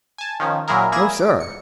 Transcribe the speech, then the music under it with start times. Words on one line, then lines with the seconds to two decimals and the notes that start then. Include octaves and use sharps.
"No, sir."
0.18 G#5 A5
0.40 D#3 F3 C#4
0.68 A#2 F#3 E4 G#4 A#4
0.92 A#3 E4 G#4 G#6 A#6 E7
1.13 D7
1.40 C#7